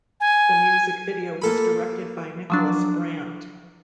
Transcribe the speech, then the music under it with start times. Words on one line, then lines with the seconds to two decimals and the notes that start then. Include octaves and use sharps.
The music video was directed by Nicholas Brandt.
0.20 G#5
1.42 A#3 A4 B5
2.50 F3 F#3 D4